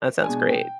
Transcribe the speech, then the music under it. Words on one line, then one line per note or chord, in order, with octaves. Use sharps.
That sounds great.
B2 G#3 D4 G#5
G5